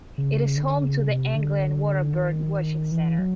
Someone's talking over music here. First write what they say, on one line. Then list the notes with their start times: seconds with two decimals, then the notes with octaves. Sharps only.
It is home to the Anglian Water Bird Watching Centre.
0.18 C#3
0.57 D3
0.83 C#3
1.09 C3
1.35 D3
2.13 D#3
2.92 E3
3.18 F#3